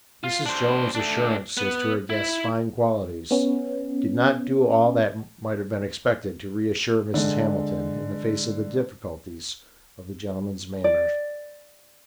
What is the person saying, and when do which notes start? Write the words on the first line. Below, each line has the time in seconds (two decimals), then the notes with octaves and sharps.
Mrs. Jones' assurance as to her guest's fine qualities did not do all that might have been expected to reassure Mrs. Hamilton in the face of the difficulties of the gentleman's manner.
0.24 F4
0.46 D4 C5
0.95 A3 D4
1.57 B3
2.10 E4
3.31 B3 C#4
7.14 D3 G#3
10.84 D5